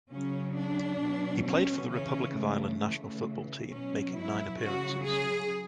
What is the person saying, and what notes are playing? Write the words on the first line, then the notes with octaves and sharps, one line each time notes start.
He played for the Republic of Ireland national football team making nine appearances.
C#3 F#3 C#4
D4
B2 F#3
C#4
C#3 E3 C#4
A3
C#3 E3 A3
B2 F#3 C#4
E4
C#3 F#3 F#4
G#4